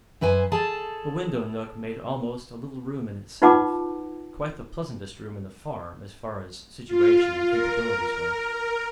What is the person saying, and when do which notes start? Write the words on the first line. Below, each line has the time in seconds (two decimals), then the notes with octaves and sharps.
The window nook made almost a little room in itself, quite the pleasantest room in the farm as far as situation and capabilities went.
0.21 F#2 B4 C5 G#5
0.52 G#4 A4 A5
3.42 D#4 F4 B4 F#5 A5 D6
6.88 F4
7.48 A#4